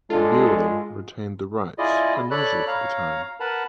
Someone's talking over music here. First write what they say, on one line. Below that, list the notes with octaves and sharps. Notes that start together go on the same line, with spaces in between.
Buell retained the rights, unusual for the time.
G#3 D4 F4 A4
E4 F4 G#4 D5 D#5
A4 C#5 D5 B5 F#6
C#5 F5 A#5
A#4 B4 F#5 A5 B5